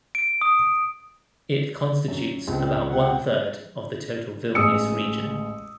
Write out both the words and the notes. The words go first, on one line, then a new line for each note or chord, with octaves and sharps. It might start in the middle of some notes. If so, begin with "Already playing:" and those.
It constitutes about one third of the total Vilnius Region.
D7
D#6
F#2
C#2 C4
C4 F#5
A1 G#3 D#6 E6 C#7